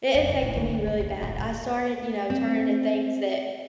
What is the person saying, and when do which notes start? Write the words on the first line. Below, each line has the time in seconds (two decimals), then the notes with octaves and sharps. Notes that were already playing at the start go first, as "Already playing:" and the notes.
it affected me really bad. I started, you know, turning to things that
0.14 F2
0.29 C#2
0.42 A2
0.57 D2
0.74 F3
0.87 G2
1.00 D2
1.23 A2
1.39 A2
2.30 C4